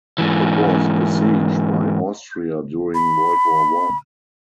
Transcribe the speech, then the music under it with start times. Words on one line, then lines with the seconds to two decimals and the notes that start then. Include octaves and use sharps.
It was besieged by Austria during World War One.
0.18 G#2 E3
2.95 B5